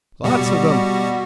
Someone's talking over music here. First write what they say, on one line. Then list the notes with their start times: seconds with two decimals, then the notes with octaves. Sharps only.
Lots of them.
0.24 B2 G3 F#4